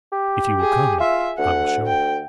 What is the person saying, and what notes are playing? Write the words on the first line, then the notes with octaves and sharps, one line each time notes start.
'If you will come, I will show you.'
G4
G#4
F4 E5
D2 F#5
G5